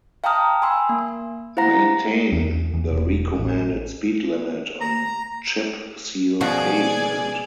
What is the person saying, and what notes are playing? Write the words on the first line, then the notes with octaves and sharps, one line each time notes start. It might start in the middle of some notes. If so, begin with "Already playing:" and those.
Maintain the recommended speed limit on chip seal pavement.
F5 G5 A5 A#5 D#6 F6
G#5 B5 C6 E6
A#3
E4 C5 F5 F#5 A#5 A#6
E2
E2
E1
A1
A#5
B2 F3 F#4 G#4 D5